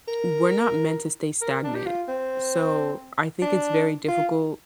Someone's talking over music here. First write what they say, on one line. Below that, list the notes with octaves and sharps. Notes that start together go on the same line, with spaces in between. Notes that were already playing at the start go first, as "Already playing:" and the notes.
we're not meant to stay stagnant, so I think it's very difficult
A#4
A#4
D4
G4
F4
C4
D4
F4